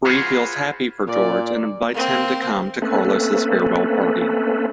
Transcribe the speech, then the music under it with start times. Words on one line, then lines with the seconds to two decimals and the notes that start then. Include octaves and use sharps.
Bree feels happy for George and invites him to come to Carlos's farewell party.
0.04 F4 F#4 G#4 B4 C5
1.07 A#2 D5
1.94 A#3 C4
2.82 A3 A#3 C4 C#4 A4 B4